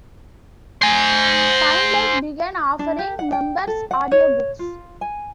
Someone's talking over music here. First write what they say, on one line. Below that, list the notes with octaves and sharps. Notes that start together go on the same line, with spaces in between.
Time-Life began offering members audiobooks.
C5 G#5
D4
G4
F#5
G5
A4
F#5
C#5
F4
G#5